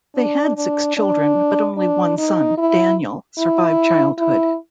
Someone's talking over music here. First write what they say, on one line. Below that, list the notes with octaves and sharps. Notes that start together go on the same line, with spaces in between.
They had six children, but only one son, Daniel, survived childhood.
D4
D4
D4
D4
D#4
E4
E4
E4